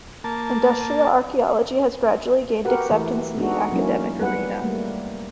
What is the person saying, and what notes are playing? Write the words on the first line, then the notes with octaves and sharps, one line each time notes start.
Industrial archaeology has gradually gained acceptance in the academic arena.
A#3 A5
F#4 G4 A#4 B4 F#5
E3 A3 E4
G#3 B3 D4 D#4 F#4 A4
F#3 A#3 C#4 E4
G3 B3 B4 F#5
G3 A3 A#3